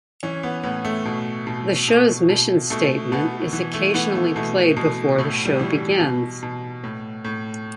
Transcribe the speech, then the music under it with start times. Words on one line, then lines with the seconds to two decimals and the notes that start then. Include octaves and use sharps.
The show's mission statement is occasionally played before the show begins.
0.23 E3 C#4
0.43 B3
0.63 A2 B3
0.85 A3
1.05 B2
1.47 B2
1.88 B2
2.29 B2
2.70 B2 A3
3.12 B2 B3
3.53 E3
3.74 A3
3.94 E3 B3
4.15 A3
4.36 B2 A3
4.77 B2
5.18 A2 A3
5.45 G3
5.59 E3
6.00 B2
6.43 B2
6.84 A2
7.25 A2